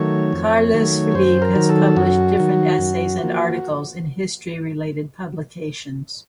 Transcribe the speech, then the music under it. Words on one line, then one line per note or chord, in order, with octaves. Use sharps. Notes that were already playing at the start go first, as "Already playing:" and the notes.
Carlos Felipe has published different essays and articles in history related publications.
Already playing: D#3 F#3 A3 C#5
F2
D#3 F#3 A3
F#2 C5
A#4
D#3 F#3
A4
F#2 F#4
D#3 F#3
F#2
F3 A#3